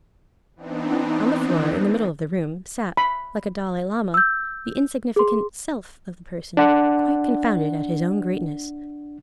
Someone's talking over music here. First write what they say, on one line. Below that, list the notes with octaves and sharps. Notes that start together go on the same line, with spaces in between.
On the floor, in the middle of the room, sat, like a Dalai-Lama, the insignificant "Self" of the person, quite confounded at his own greatness.
E3 B3 C4 D4 D#4
B5
E6 G6
G#4 C6
D4 F#5